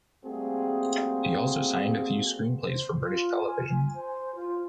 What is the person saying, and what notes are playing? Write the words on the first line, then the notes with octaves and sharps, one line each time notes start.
He also signed a few screenplays for British television.
G3 A3 A#3 C4 F#4 G#4
C5
F4
G#5
C5
F4